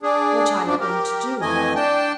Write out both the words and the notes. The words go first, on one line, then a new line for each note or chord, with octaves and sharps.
What are you going to do?
D4 G#4
F#2 F3 D4
G4 A#4
F2 E3 A3 D#5 G#5
D4 G5 A5